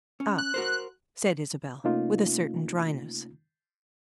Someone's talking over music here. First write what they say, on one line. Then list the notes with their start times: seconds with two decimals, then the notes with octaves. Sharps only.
"Ah!" said Isabel with a certain dryness.
0.20 C#4
0.38 F#6
0.54 F#4 A#4 C5
1.84 C3 A3 A#3 C#4 D#4 F4